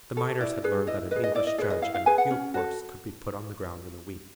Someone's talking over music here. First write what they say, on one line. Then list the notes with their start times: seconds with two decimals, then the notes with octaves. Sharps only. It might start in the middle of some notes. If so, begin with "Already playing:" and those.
The miners had learned that an English judge and a field force could be put on the ground in a week.
0.17 A4
0.40 E4 D5
0.64 G#4 B4
0.87 E4 D#5
1.11 B4 D#5
1.16 G#4
1.24 D#5
1.35 E4 D5
1.47 D#5
1.58 G#4 B4 D5
1.70 D#5
1.82 E4 F5
1.94 F5
2.06 G#4 B4 G#5
2.18 F#5
2.30 C#4
2.54 F#4 A4